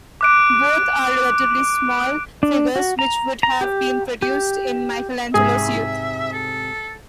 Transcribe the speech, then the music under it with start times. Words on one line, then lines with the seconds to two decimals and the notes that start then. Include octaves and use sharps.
Both are relatively small figures which would have been produced in Michelangelo's youth.
0.21 D6 F#6 D7
2.43 D4
2.76 F#4
2.99 A#5
3.43 A#5
3.61 G4
4.22 G4
5.34 G#2 C3 G#4 E5
6.33 A4